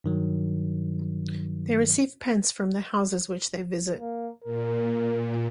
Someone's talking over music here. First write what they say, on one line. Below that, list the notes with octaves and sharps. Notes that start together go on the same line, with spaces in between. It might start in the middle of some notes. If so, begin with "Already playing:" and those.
They receive pence from the houses which they visit.
G2 D#3 F#3
A#3
A#2 A#4